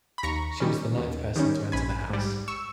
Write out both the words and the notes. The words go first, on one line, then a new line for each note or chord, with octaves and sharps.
She was the ninth person to enter the house.
B5
D#2 A#5 C#6
D#3 G3 C#4
D#2
D#3 G3 C#4
A#1 G#5 B5
G#2 G3
C#6 E6